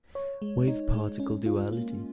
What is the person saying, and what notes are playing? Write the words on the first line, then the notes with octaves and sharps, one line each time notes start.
Wave-particle duality.
C#5
G#3
D#4
G#3
C#4
F4
A#3